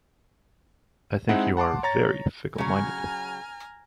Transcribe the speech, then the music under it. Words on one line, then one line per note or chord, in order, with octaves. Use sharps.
I think you are very fickle minded.
G#3 C4 D#4 E4 F#5
F#5 A5 C6 D6
C#5 A#5 A6
C#3 F#3 G#5 A#5 F6